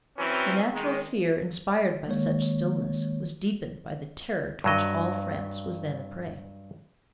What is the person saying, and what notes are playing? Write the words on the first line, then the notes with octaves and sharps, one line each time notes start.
The natural fear inspired by such stillness was deepened by the terror to which all France was then a prey.
E3 F#3 C4 C#4
D#3 G#3
D#3 G#3 A#3 C#5
G2 F#3 D#5